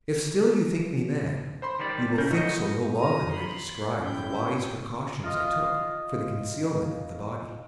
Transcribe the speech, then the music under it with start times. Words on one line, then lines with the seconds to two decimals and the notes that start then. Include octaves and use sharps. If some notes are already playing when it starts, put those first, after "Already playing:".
If still you think me mad, you will think so no longer when I describe the wise precautions I took for the concealment of the body.
1.62 C5 B5 C6
1.79 D#3 G3 D5
2.18 C#3 C#4 A#4 G6
2.31 A3 D#4 F#4 D#5
2.97 A#5 D#6 F6
3.33 B5 C6
4.01 G#2 C#4 E4 G5 G6
5.23 F4 D#5 F5